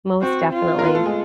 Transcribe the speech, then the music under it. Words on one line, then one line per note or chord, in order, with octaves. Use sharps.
Most definitely.
C4 F#4 C5
F4
A#4
B3 B4
A3 A4
G#3 G#4